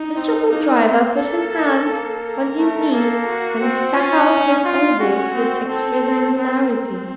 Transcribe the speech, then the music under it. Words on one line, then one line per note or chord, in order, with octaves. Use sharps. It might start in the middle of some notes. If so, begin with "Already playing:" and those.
Mr. Hoopdriver put his hands on his knees and stuck out his elbows with extreme angularity.
Already playing: D#4
C4
A#3 D#4
C4
A#3 A4
A#3
A#4
A3
A#3 A4
F#4
C4
C#4 F4
D#4
D#4 F4
C#4 F#4
C4
C4 A4
C4 A#4
C4